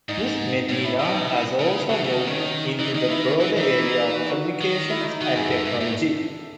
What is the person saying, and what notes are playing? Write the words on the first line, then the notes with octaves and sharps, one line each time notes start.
Ms. Medina has also moved into the broader area of communications and technology.
G#2 D#4
A2 C#4
E4
B2 D#4
D#4
E4
C#3
C#3 F#4
E3
D#3
C#3 D#4
D#3 C#4
D#4
E3 D#4
D#3 D#4
D#3 E4
E3
E3 D#4
E4
D#4
D#4
F#4
F#4
D#3
E4
D#4
D#4
D#3 F#4
F#2 G#4
F#2 A4
G#2 E5
A2 E5